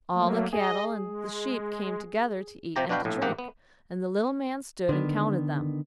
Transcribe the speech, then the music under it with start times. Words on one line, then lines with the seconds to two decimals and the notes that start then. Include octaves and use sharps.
All the cattle and the sheep came together to eat and to drink, and the little man stood and counted them.
0.14 F#3 A3 A#3
0.53 G#4 D#5
1.05 G#3
2.76 C3 F3 G4 A#5
2.89 B2 D4 F#4 B4 F5 G5
3.05 A#1 A2
3.22 A1 G#2 A#3 G4 F#5
3.39 B3
4.89 D3 D#3 B3